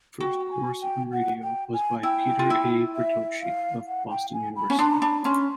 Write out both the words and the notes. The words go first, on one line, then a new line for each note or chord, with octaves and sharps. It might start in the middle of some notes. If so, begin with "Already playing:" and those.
The first course on radio was by Peter A. Bertocci of Boston University.
F#4 G5
G#5
G5
F#5
G5
G#5
E4 G5
F4
E4
E5
F5
F#5
G5
G#5
B5
C#4
D4 C6
A#5
D4 B5
C#4 C6